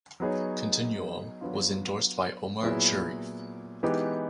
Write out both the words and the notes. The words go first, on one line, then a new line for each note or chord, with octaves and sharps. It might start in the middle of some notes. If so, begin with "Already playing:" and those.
Continuo was endorsed by Omar Sharif.
F#3 B3 D#4 G#4 C#5
F#3 B3 D4 F4
A#2 F#3 B3 E4 G#4
E3 G#3 B3 D#4 G4